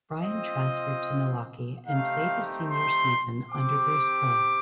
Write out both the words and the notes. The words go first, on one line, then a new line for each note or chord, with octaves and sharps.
Ryan transferred to Milwaukee and played his senior season under Bruce Pearl.
C4 F4 D#5
A3 C4 D#4 G4 F5
C6
C4 G4 D6